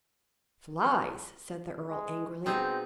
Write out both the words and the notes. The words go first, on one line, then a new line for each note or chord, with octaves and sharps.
"Flies!" said the earl, angrily.
G#3
B2 C4 D#4 G#4